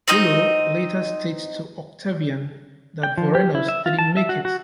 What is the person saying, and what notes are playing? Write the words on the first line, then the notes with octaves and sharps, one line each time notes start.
Pullo later states to Octavian that Vorenus didn't make it.
C4 D#4 D#5 G6
G5
F3
G4
E4
E5
F4
A5
E5
F#4
F#4